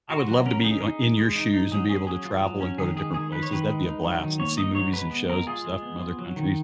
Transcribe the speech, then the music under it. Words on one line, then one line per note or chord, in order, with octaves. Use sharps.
I would love to be in your shoes, and be able to travel and go to different places. That'd be a blast, and see movies, and shows, and stuff from other countries.
F4 F#4
F#3 F#4
C#4 A#4
A#4
D#4 G#4
D#4
G#3
G#3
D#4
D#4
F#3 G#4
C#4 G#4
F#3 G#4
F4
F#3
C#4
D#3 G#4
G#3 G#4
D#3 G#4
D#4 B4
C#5
D#3 B4
G#3
D#4
F#3
D#3
A#3 C#5
D#4 D#5
F#3 C#5
G#3 B4
B3
G#3 A#4
F4 G#4
G#3
B3
F4
F#3
D#3